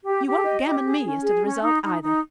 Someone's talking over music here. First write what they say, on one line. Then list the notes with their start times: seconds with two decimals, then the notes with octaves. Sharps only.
You won't gammon me as to the result, either.
0.05 G4
0.25 G4
0.44 D#5
0.65 G4
0.84 G#4
1.04 C#4
1.24 G#4
1.43 C#4
1.63 D#4
1.82 D#4
2.02 D#4